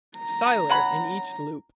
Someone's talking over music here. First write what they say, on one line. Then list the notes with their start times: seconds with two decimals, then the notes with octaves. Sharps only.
Siler in each loop.
0.18 A#5
0.69 C#4 F#5 B5